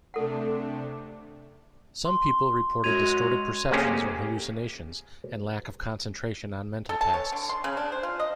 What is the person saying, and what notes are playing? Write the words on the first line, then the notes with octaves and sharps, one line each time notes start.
Some people reported distorted perceptions or hallucinations and lack of concentration on mental tasks.
C3 A3 D4 A4 F#5
C6
F#2 G#3 F#4 G#6 D#7 F7
C3 A3 A#3 C#4 G4 G#4
A4
A5
C#5
D3
C6
C#3
D4
C5
F4
D#5